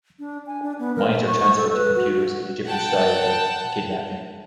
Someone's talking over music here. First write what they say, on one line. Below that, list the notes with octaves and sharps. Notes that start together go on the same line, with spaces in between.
Minds are transferred to computers in a different style in "A Kidnapping".
D4
G#5
D4
B3
A#4
A3
C#6
C#6
A4
B4
F#4
F#4
F#5 G5 A5